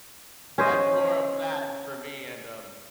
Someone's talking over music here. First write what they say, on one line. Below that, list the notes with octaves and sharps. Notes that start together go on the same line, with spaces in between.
That's more of that for me, and, um,
C#4 C5 D#5